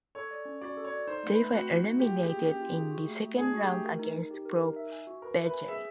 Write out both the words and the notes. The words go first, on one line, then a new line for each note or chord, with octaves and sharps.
They were eliminated in the second round against Pro Vercelli.
A4 C#5
D5
C#4
F#4 D5
A4
C#5
D5
D#4 C5
A3
B4
A3
C4 F#4
D#4
A3
F4 G4
G#4
G4
A#3
C#4 G4
F4
G#4
F#4
A3
A3
D4 G#4
F#4
G4
A3
A#4
D#4
D#4
G4
A#4
D#4
E5
G#5
F#4
A#4 B4
E5
B4
G#5
G#4 E5